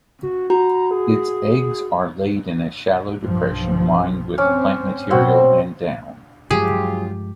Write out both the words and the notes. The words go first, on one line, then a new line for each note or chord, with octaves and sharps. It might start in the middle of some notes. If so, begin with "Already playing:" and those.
Its eggs are laid in a shallow depression lined with plant material and down.
F#4
F#4 A#5
G#4
B1 G2 F3
C4 C#4 D6
B2 C4 F#4 C5
G2 F3 F#3 G#3 F4 G4 G#4